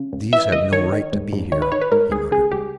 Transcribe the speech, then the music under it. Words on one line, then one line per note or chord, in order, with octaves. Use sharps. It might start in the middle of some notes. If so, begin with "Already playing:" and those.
"These have no right to be here," he muttered.
Already playing: C#3
C#2
E3 E5
C#2 D#5
D#3 C#5
D#3
G#2
G#2
D#3 C#5
B4
D#3 C#5
B4
G#2 A#4
G#2 G#4
C#3 G#4
C#2 G4